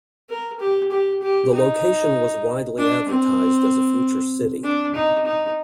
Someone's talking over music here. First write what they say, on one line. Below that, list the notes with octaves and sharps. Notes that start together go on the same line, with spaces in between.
The location was widely advertised as a future city.
A#4
G4
G4
G4
D#4
D4
C4
D4
D#4
D#4